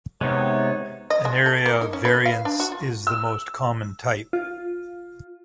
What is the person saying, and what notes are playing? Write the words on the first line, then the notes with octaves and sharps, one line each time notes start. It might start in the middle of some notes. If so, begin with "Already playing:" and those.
An area variance is the most common type.
C3 G#3 B3 D#4 C#5
D#5
G#3
A4
A#3
D#4
C#4
B4
F5
D4
F#4
F4
E6
F4